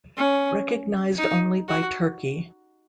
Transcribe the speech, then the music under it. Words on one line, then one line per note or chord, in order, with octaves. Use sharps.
Recognized only by Turkey.
C#4
D#4
F#4